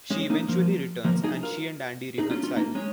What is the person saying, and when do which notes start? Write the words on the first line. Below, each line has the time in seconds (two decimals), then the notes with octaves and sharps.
She eventually returns and she and Andy reconcile.
0.10 G#3 C#4
0.30 A#3 D#4
0.48 F3 A#3
1.05 F3 A#3
1.24 D#4 G#4
1.43 F4 A#4
2.18 D#4 G#4
2.30 C#4 F4
2.43 C#4 F4
2.56 A#3 D#4
2.75 G#3 C#4